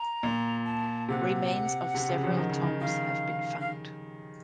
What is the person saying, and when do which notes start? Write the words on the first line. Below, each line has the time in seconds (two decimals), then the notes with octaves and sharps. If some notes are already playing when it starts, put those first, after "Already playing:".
Remains of several tombs have been found.
Already playing: A#5
0.23 A#2
0.65 A5
1.09 C3 F#5
1.94 C3
2.09 C#3
2.23 F3
2.37 D#3
2.49 C#3
2.63 D#3
2.81 D#3 F5
3.60 F5